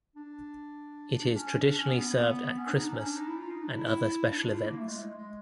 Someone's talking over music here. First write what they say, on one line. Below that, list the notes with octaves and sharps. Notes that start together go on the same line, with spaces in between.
It is traditionally served at Christmas and other special events.
D4
D4
C#4
D4
D4
C#4
B3
C#4
D4
D#4
D4
C#4
D4
D#4
E4
F4
D#4
D4
E4
E4
D4
F4
E4
A#3
A3
G#3
G#3
G#3